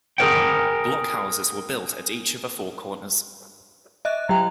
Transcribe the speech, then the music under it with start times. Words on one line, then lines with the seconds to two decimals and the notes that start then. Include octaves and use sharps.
Blockhouses were built at each of the four corners.
0.18 G#4 A#4 B4 C#5 F#5 G5
4.05 D#5 E5 F#6
4.29 F#3 G4 G5 A#5